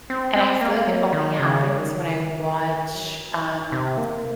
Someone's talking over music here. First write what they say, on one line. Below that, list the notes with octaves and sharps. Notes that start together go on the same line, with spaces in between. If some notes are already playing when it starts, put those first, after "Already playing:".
And I feel like it only happens when I watch, um,
C4
C4
A#3
F#3
D#3
C#3
D#3
F#3
D#3
C3
A#3